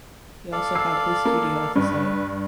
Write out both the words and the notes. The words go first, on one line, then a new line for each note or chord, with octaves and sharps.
He also had his studio at the site.
A4 D5 F5
E6 C7
A#3
G2 B4